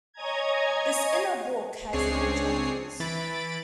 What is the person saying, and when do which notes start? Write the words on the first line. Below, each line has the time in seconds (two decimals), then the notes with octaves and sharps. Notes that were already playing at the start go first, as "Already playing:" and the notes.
This "inner" book has nine chapters.
0.13 C#5 D#5 G#5 A#5 G#6
1.93 C#2 C4 D4 G#4 C#5 C7
3.00 E3 B5 A6 D7